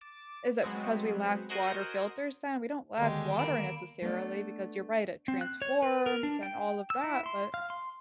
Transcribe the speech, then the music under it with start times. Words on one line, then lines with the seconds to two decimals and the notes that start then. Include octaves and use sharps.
Is it because we lack water filters then? We don't lack water necessarily, because you're right, it transforms and all of that, but
0.01 D6 A6 D7 E7
0.62 F#3 G#3 B3 C4 F#4
1.49 F#4 A#4 C5 D#5 F#5 G#5
2.97 D#2 B2 D3 G3 G#3 G4
3.39 A#3 B5 D7 E7
4.02 A3 B3 D4
5.28 C4
5.41 F#6
5.62 C#5
5.82 B4
6.06 A#4
6.23 D4
6.43 G5
6.90 E6
7.04 E4
7.26 C6
7.54 F5
7.70 C6